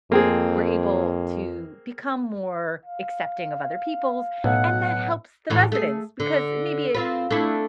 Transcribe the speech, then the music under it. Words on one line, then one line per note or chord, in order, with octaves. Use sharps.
were able to become more accepting of other peoples, and that helps the residents because maybe
F2 A#3 C4 G#4
F5
B1 A2 F#5
E2 A2 E3
A3 G#4
D3
C4 F4 B4
A3 D4 E4